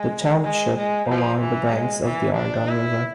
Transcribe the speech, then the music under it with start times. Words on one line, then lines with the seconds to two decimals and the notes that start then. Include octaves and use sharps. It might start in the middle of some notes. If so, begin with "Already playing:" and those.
The township along the banks of the Argun River.
Already playing: G#3
0.44 G#3
0.77 G#3
1.08 F3
1.41 E3
1.72 G#3
2.05 E3
2.36 D4
2.68 E4